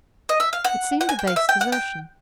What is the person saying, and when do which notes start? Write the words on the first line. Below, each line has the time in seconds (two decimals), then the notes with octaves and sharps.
It seemed a base desertion.
0.29 D#5
0.40 E5
0.53 F5
0.64 F#5
1.01 F#5
1.09 G#5
1.19 G5
1.27 F5
1.36 E5
1.49 G5
1.61 F#5
1.72 G5